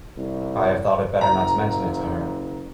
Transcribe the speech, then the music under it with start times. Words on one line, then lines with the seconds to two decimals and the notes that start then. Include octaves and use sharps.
I have thought it better not to mention it to her.
0.18 C2
1.21 F#1 A#5